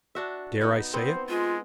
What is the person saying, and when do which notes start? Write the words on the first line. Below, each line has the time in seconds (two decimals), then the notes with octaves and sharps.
Dare I say it?
0.15 D4 F#4 E5
0.61 B3 D#4
0.94 B3 C4 C5
1.29 G#3 F4